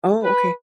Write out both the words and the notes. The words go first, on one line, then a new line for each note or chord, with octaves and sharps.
Oh, okay.
B4